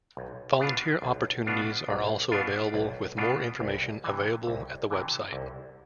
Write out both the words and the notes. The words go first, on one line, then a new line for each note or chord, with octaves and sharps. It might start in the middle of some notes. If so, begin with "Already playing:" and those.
Volunteer opportunities are also available with more information available at the website.
B1
B2 B3 D4 F4
B1
B2 B3 D4 F4
B1
B2 B3 D4 F4
B1
B2 B3 D4 F4
C2
C3 E3
C2
C3 E3
C2